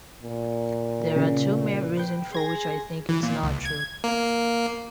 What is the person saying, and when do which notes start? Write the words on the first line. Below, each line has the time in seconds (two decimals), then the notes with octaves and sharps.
"There are two main reason for which I think it's not true," he says.
0.23 A#2
1.16 C#3
1.97 B4 G5
2.32 G#4 C6 G#6 A#6
3.09 E3
3.23 A#2
3.43 C#2
3.65 G#6
4.04 A#3